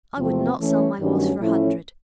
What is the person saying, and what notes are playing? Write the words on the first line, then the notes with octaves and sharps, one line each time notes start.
I would not sell my horse for a hundred.
E2 C3 F3 A3 C4
E3 A3 C#4
G2 D#3 F#3 A3 C#4
A2 F3 A3 C#4 E4